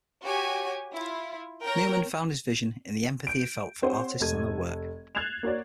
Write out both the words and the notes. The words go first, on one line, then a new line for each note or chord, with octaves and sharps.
Newman found his vision in the empathy he felt for artists and their work.
F#4 G4 C#5 G#5
E4 F4
A#4 C#5 G5 A#5
G6 D7
C4 G4 C5 C#5 F#5
F1 A4 G#6 D#7
F#6 G#6 A6 C7 E7 F7
A#3 F#4 C#5 D5